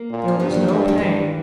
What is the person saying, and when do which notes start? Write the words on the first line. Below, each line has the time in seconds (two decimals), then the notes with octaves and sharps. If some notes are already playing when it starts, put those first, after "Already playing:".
There was no pain.
Already playing: A#3
0.10 A#2
0.28 C#4
0.40 G2 G3 B3
0.54 F#3 A#3
0.68 G2 E3 G3
0.88 D3 F#3
0.97 G2 E3